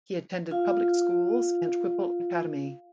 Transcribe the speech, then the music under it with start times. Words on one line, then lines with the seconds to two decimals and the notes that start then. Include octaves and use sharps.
He attended public schools and Whipple Academy.
0.51 F4 F5